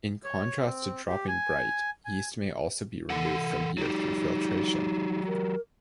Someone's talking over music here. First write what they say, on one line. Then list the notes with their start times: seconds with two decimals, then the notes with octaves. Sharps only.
In contrast to dropping bright, yeast may also be removed from beer through filtration.
0.24 C#5
0.58 C4
1.07 G4
1.28 G#5
2.05 G#5
3.10 E3 A4 F#5
3.78 F#3 D#4 G4
5.27 A#4